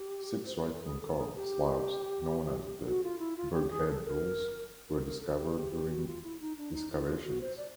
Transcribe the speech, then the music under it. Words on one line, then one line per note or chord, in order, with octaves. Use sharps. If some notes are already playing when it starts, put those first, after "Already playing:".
Six striking carved slabs known as the "Burghead Bulls" were discovered during excavations.
Already playing: G4
C5
B4
A#4
A4
G#4
A4
G#4
G4
F#4
F4
E4
F4
G4
G#4
A4
A#4
A#4
A#4
A4
G4
G4
G4
F#4
F4
E4
D#4
D4
D#4
E4
F4
F#4
C5
D5